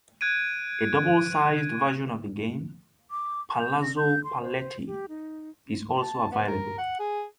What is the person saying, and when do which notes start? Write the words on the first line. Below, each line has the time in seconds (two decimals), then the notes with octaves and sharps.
A double-size version of the game, "Palazzo Paletti", is also available.
0.21 F#6 G#6 D7 D#7
3.11 D6
3.59 G6
3.82 A#6
3.97 G6
4.24 C6
4.42 C5
4.87 G4
5.09 D#4
6.01 A5
6.31 B3
6.48 A#4
6.78 F#5
6.99 G#4